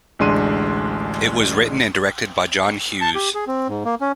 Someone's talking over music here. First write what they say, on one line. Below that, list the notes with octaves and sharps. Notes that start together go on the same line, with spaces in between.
It was written and directed by John Hughes.
A1 D2 G#3 D4 C6 D#7
A5
G4
G#4
C4
G#2
A#3
C#4